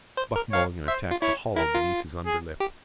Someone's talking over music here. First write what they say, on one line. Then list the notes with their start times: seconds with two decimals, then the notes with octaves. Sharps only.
Buck Mulligan attacked the hollow beneath his underlip.
0.17 C5
0.36 A#4
0.52 C#5 F5
0.87 C5 E5
1.11 F4
1.22 E4 C#5
1.56 E4 A#4
1.75 F4
2.26 G#4
2.60 G4